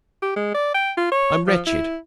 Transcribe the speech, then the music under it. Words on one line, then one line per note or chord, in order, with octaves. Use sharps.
I'm wretched.
G4
G#3
D5
G5
F4
C#5
F3
E4